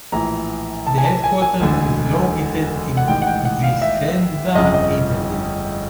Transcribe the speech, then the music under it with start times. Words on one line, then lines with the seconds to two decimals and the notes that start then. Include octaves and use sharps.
The headquarters is located in Vicenza, Italy.
0.12 A#1 A2 E3 A#5
0.87 A5
0.98 G#5
1.05 A5
1.24 G#5
1.42 G#5
1.60 E1 D2 D3
2.97 F#5
3.08 A1 G#2 D#3 G5
3.22 F#5
3.26 G5
3.45 F#5
3.63 F5
3.82 E5
4.55 G1 F2 C#3 D#5
4.74 D#5